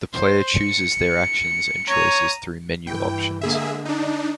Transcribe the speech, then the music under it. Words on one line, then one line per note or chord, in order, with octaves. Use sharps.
The player chooses their actions and choices through menu options.
C5
C#7
C#5 A#5 D#6
G2 E3 G5
D3 G#3 A#3 G#4 E5
D4 D#4